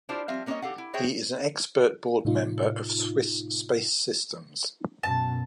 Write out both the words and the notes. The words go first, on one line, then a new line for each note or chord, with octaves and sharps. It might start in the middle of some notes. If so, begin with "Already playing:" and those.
He is an expert board member of Swiss Space Systems.
D4 E4 F4 G4 C5 D5
F3 G3 C4 E5 F5
G3 A#3 C#4 B4 C#5 D#5
G4 A4 F5 F#5
E4
F#4 G#4 C5 C#5 E5 G5
A2 C3 D#4 F4
F#2 B2 A5